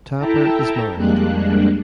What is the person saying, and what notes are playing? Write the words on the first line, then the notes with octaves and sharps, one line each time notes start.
Tapper is married.
E4 A4 E5 G5 A5 A#5
F2 G3 G#3 A#3 D4 F#6